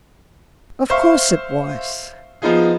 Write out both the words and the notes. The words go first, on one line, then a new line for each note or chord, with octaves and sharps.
"Of course it was!"
C5 E5 F5 C#6
F3 B3 D#4 F4 G#4